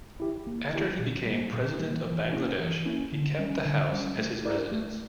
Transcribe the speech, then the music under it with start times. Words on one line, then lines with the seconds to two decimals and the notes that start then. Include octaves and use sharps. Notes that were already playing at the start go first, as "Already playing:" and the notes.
After he became President of Bangladesh, he kept the house as his residence.
0.20 E4 G4
0.47 A#3
0.73 E4 G4
0.99 A#2
1.26 G3 A#3
1.53 A#2
1.79 G3 A#3
2.06 E3
2.32 A#3 C#4 E4
2.59 E3
2.85 A#3 C#4 E4
3.12 D3
3.39 G3 C#4
3.65 D3
3.91 G3 C#4
4.18 A3
4.45 E4 A#4 D5
4.72 A3